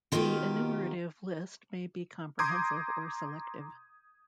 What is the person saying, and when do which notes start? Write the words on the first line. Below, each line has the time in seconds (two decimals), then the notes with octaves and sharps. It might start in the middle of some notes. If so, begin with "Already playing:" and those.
The enumerative list may be comprehensive or selective.
0.12 B2 D#3 F4 G4 G#4 A#4
2.39 A#5 C6 D6 D#6 G6 G#6